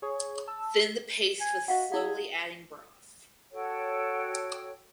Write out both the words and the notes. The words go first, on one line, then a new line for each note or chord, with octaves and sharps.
Thin the paste with slowly adding broth.
G#4 C#5
A5 E6
G#5
F#4 D#5 F5 F#5
E4 G#4 F5
F#4 A4 C#5 G5